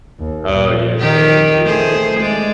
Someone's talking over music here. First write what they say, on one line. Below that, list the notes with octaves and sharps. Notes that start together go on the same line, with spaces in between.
Oh, yeah, same here, definitely.
D#2
A#2
D#3 G4
A3 G#4 C5
G#3 D5